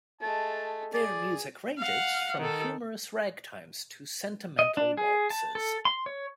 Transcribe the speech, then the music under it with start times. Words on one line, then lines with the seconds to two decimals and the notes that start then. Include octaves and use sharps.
Their music ranges from humorous ragtimes to sentimental waltzes.
0.21 G#3 A3 A5
0.94 G#4 D5
1.78 F5 F#5
2.39 D#3 A4
4.59 D#5
4.77 D4
4.97 G#4
5.30 A5
5.55 A4
5.85 C6
6.06 C#5